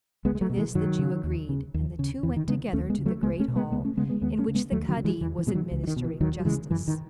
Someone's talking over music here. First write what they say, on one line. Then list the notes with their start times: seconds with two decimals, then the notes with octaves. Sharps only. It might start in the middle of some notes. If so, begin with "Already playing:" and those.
To this the Jew agreed, and the two went together to the great hall, in which the kadi was administering justice.
0.25 C#2 G#3 B3
0.35 G#3
0.41 F#3 A3
0.50 B2
0.57 E3 G#3
0.75 F#2 D#3 F#3
0.99 C#3
1.24 D#2
1.49 C#3
1.74 D#2
1.99 C#3
2.23 E2 E3
2.36 D#3
2.48 C#3 G#3 B3
2.73 D#2 A3 C#4
2.90 G#3 B3
2.98 C#3
3.06 F#3 A3
3.23 C#2 G#3 B3
3.40 A3 C#4
3.48 B2
3.56 G#3 B3
3.72 C#2 G#3 B3
3.85 A3 C#4
3.97 C#3 G#3 B3
4.09 G#3 B3
4.21 D#2 G#3 B3
4.38 A3 C#4
4.48 C#3
4.55 G#3 B3
4.72 D#2 F#3 A3
4.88 D#3 F#3
4.97 C#3
5.05 E3 G#3
5.21 E2 E3
5.38 E3
5.47 B2 G#3
5.54 D#3 F#3
5.71 C#2
5.84 E3
5.87 D#3
5.96 B2
6.04 E3
6.21 D#2 D#3 F#3
6.40 F#3
6.45 C#3 E3 G#3
6.71 F#2 E3
6.88 D#3